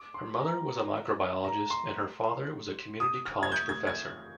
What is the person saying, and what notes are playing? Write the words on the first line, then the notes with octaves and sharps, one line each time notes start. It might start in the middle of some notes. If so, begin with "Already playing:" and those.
Her mother was a microbiologist and her father was a community college professor.
Already playing: D6
C6
A#5
A#5
C6
D#6
F6
G#6
G6
G#6
G#6